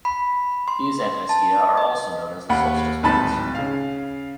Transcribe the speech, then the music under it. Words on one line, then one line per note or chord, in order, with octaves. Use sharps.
These antiscia are also known as the "solstice points".
B5
C6
A5
D#5
D#2 F#5 B5
D1 G#1 D#4 A5 B5 A6
C#3 F5